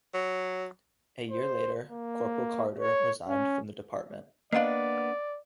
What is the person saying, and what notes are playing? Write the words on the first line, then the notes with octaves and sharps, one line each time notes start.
A year later, Corporal Carter resigned from the department.
F#3
C5
A#3
C#5
C#4
A#3 B3 D4 D5 D#5 F5